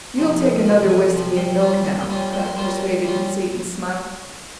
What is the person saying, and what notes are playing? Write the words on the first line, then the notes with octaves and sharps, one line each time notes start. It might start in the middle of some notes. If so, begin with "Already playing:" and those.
"You'll take another whiskey and milk now," Kraft persuaded, with Satan's smile.
C3 F3
F2 F5
C3 F3
F2 G#5
C3 F3
G2 G5
G3 C#4 F4
G2 F5
G5
G3 C#4 F4
G#5
G2 G5
C5
A#4
G3 C#4 F4 C5
A#4
G2
G3 C#4 F4